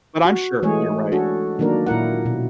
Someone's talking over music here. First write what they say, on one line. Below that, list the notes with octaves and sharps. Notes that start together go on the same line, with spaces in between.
but I'm sure you're right.
F#4
E3 G#3 A3 G#4 C#5
D4 F#4 A4 C#5
D#3 F#3 A#3 D4 A#4
A#2 E4 A#4 F#5
B2